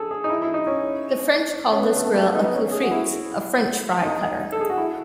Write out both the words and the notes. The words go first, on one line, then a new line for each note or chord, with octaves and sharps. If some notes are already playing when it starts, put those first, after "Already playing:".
The French called this grille a "coupe-frites": a "french-fry cutter".
Already playing: G#4 A4
G#4
D#4
E4
E4
D#4
C#4
C#4
B3
A3
A3
B3
D#4
B3
C#4
G#4
F#4
E4
D#4
A4
G#4
F#4
E4